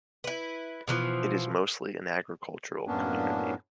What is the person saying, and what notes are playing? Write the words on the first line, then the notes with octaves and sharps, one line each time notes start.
It is mostly an agricultural community.
E4 B4
B2 E3 F3
F#2 A2 A#3 B3 C#4 D4